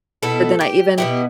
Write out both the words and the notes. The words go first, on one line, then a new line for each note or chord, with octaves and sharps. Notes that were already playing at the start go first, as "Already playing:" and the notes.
Then I even
B2 B3 E4 A4
G4
B2 B3 E4 G4